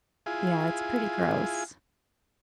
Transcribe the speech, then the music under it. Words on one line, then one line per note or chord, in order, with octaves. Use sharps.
Yeah, it's pretty gross.
E4 F4 G#4